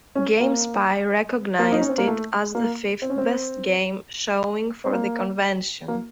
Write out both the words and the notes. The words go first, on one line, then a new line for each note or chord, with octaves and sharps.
GameSpy recognized it as the fifth best game showing for the convention.
C#4
A#3
A#3
D#4
C#4
C4
A#3
A3
A#3
C4
C#4
C4
C4
A#3
A#3